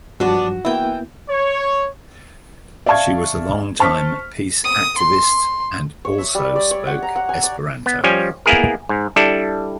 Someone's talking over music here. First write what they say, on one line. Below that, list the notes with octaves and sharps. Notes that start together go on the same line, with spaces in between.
She was a longtime peace activist, and also spoke Esperanto.
G2 F3 F#3 B3 D4 F#4
E3 A#3 B3 E4 G5
C#5
D5 E5 F5 A5 C#6 G#6
C5 A5 C#6 F6 B6
D#6
C6
C#5
E5
G3
D5
C#5
F#5
A#5
F#5
G#5
D5
B3
F3 G3 C#4 G#5
A#3 B3 E4 G#4 A#4
G#2
G3 D4 E4 A4